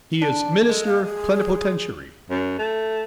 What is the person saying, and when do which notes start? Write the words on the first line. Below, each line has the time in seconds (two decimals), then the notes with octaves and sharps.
He is minister plenipotentiary.
0.22 D4
0.69 G#3 A4
0.86 F5
1.05 G#4
2.30 F#2
2.58 A3